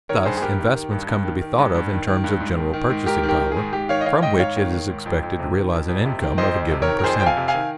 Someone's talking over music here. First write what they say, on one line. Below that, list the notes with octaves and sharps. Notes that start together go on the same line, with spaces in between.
Thus investments come to be thought of in terms of general purchasing power, from which it is expected to realize an income of a given percentage.
D#3 A#4 C#5
G2 G#4 C5
G#4
G2 G4 A#4
D#3
D#3
G2
G2
D#3
D#3
G2
G2
D#3
D#3
G2
G#2
D#3
D#3
G#2
G#2 G4 A#4
D#3
G4 A#4
D#3
G#2 G#4
G#2 G4
D#3 C#5 F5
D#5
D#3 C#5 F5
G#2 D#5 G5
G#2 C#5 F5
D#3
D#3
G#2
F2
F2
C3
D#3
F2
F2
C3
D#3
F2 C5 D#5
F2
C3
A#4 C#5
D#3
A#4
F2 G#4 C5
F2 G5
F5 G#5
C3
F5 G#5
D#3